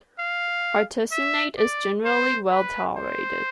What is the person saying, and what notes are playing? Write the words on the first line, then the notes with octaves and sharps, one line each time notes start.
Artesunate is generally well tolerated.
F5
E5
D5
C5
B4
C5